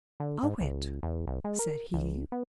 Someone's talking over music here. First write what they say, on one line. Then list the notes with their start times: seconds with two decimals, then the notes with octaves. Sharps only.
"Owe it?" said he.
0.20 D3
0.43 G#2
0.61 C#2
1.03 E2
1.27 C2
1.44 G#3
1.59 A#4
1.94 C#2
2.32 B3